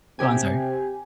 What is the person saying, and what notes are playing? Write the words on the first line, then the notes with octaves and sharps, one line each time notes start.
Go on, sorry.
C3 G4 G#5